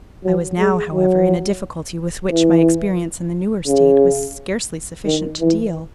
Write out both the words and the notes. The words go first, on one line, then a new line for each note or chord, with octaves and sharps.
I was now, however, in a difficulty with which my experience in the newer state was scarcely sufficient to deal.
F#3
G#3
F#3
E3
C#3
D#3
E3